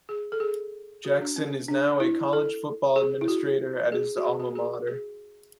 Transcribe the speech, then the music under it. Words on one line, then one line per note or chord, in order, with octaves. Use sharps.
Jackson is now a college football administrator at his alma mater.
G#4
A4
G#4
F#4
D4
C#4
D4
E4
A4
G#4
E4
F#4
G#4
F#4
G#4
F#4
G#4
G#4